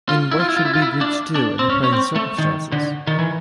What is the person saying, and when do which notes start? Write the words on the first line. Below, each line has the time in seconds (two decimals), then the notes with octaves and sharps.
In What should we Greeks do in the Present Circumstances?
0.09 F4
0.31 E4
0.40 F4
0.49 E4
0.56 F4
0.65 E4
0.74 F4
0.82 E4
1.01 D4
1.35 D4
1.59 C4
1.70 C#4
1.84 C#4
1.93 C4
2.16 A3
2.38 D#3
2.72 D3
3.07 D#3
3.19 E3